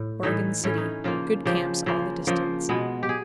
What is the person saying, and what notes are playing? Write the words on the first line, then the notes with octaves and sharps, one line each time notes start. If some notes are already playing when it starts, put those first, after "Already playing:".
Oregon City.--Good camps all the distance.
Already playing: A2
A2 E3 A3 D#4
A2 E3 A3 C#4
D#4
C#3 F3 A#3 F4
C#3 F3 A#3 G4
C#3 F3 A#3
C#3 F3 A#3
B2 G#3 B3
G4
G#4